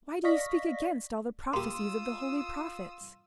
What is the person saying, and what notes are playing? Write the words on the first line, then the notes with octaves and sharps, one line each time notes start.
Why do ye speak against all the prophecies of the holy prophets?
D5 D#5 F5 C#6 A#6 B6
A#3 F4 G4 C6 D#6 E6